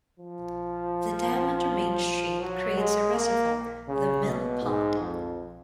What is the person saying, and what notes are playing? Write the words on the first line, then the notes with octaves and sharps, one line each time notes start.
The dam, under Main Street, creates a reservoir, the Mill Pond.
F3
F#3
G#3
A#3
C#3
B2
G#2
F2